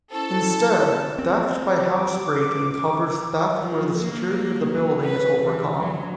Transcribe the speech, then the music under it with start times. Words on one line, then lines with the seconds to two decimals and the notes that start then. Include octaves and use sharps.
Instead theft by housebreaking covers theft where the security of the building is overcome.
0.10 C#4 E4 A4 C5
1.18 C4
1.92 D6
3.59 F3
3.99 A#3
4.67 F#3
5.05 B4
5.39 E3
5.79 F#3